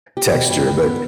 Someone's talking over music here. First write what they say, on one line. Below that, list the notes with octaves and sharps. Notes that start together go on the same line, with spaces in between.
texture, but
G4
B2
G2
G2
B3